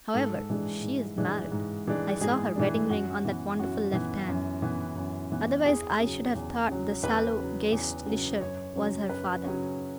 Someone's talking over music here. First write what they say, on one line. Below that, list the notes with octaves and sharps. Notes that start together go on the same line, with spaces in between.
However, she is married; I saw her wedding-ring on that wonderful left hand, otherwise I should have thought the sallow Geistlicher was her father.
G#2 A4
E3 G#3 D4
G#2
E3 G#3 D4
G#2
E3 G#3 D4
G#2 G#4
E3 G#3 D4
F#2 F#4
E3 B3
F#2 F#4
E3 B3
F#2
E3 B3
F#2
E3 B3
E2 G#4
C#3 F#3
E2
C#3 F#3
E2 B4
C#3 F#3
E2
C#3 F#3
F#2 C#5
C#3 F#3 C#4
F#2 B4
C#3 F#3 C#4